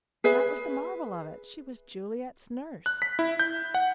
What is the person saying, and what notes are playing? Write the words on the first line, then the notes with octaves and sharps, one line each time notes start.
"That was the marvel of it. She was Juliet's nurse."
G#4 B4 E5
F#6
B6
E4
G6
F#5